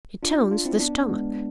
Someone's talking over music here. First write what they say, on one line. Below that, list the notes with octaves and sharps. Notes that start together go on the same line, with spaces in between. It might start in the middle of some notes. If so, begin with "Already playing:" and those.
It tones the stomach.
D4 F4
D4 F4
C4 E4
B3 D4
G#3 B3